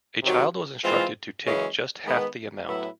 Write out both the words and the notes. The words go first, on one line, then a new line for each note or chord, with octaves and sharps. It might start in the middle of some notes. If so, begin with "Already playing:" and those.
A child was instructed to take just half the amount.
C3 D#3 F#3
E3 G#3 C4 F4
F#2 C#3 E3 G#3 C#4
D#3 G#3 B3
A2 F#3 B3 E4